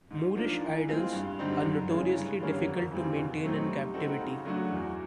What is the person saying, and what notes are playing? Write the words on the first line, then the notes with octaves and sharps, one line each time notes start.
Moorish idols are notoriously difficult to maintain in captivity.
G#2
F3 A#3 D4 F4
E3
G#3 C4 F4 G#4
G2
D3 G3 C4 D#4
F#2
C#3 E3 G#3 C#4
G2
D3 G3 A#3 C#4
F2
C#3 E3 G3 C4
B2
F#3 A3 C4 D#4
G3
C4 D#4 F#4 A4
C#3
F#3 A3 D4 F#4
E2